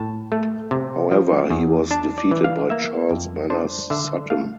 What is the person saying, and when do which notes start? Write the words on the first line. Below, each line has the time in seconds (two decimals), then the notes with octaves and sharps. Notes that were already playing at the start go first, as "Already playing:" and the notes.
However, he was defeated by Charles Manners-Sutton.
Already playing: A2 A5
0.32 A3
0.71 C3
1.12 F3
1.50 E2
1.91 D4 A5
2.18 D5
2.31 E3
2.44 F5
2.70 A#3 E5
3.11 F2
3.50 D4 C5
3.90 D3 E5
4.30 A3 F5